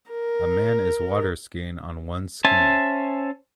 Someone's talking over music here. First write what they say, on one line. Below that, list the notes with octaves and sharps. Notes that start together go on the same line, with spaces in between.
A man is waterskiing on one ski.
A#4
C#4 C5 E5 G#5 A5